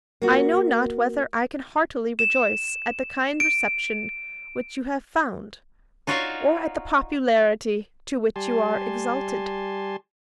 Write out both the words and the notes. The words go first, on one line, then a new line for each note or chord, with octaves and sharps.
'I know not whether I can heartily rejoice at the kind reception which you have found, or at the popularity to which you are exalted.
A#3 F4 F#4
E7
D7
D#4 F4 F#4 C#5 D5 F5
G3 G4 G#5 A5 C6